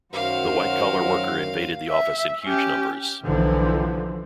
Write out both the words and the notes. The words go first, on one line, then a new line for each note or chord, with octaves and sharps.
The white-collar worker invaded the office in huge numbers.
F#2 D#3 F#3 F#4 A#4 C5 F5
E5
C#4 G4
B1 D3 E3 F3